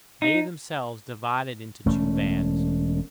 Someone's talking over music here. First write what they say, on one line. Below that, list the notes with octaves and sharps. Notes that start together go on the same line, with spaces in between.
They themselves divided into two bands.
D#4
E1 A3 C#4